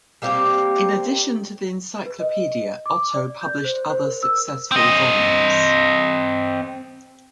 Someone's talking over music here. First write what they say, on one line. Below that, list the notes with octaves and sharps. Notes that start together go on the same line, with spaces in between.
In addition to the encyclopedia, Otto published other successful volumes.
G3 A#3 C4 G4
B4
D#5
D6
D5
G6
C5
C5
A#4
E6
C4 D#5